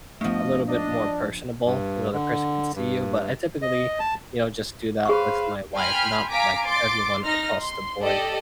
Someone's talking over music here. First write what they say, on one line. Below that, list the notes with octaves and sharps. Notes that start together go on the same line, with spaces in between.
a little bit more personable. You know, the person could see you, but I typically, you know, just do that with my wife, not, like, everyone across the board,
G2 F3 A3 B3 D#5
D4 D#5
G2
D3
G2
D#5
A5
G#4 B4 C5 F5 C#6
G5 G#5 B5 C6 F6
F5 G#5 A#5 D6 B6 D7
C6 D6 A6
D#4 F6 A#6
C6
G4 A4 D5 D#5